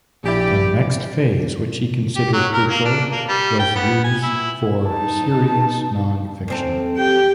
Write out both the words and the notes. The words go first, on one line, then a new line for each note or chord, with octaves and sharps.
The next phase, which he considered crucial, was use for serious non-fiction.
A#1 E4 G4 D5
G4
F#3
A#4
A#3
D4
A#3
G3
G5
B3
G#5
E4
D#4 A5
F#2 C4 A4
G4 G5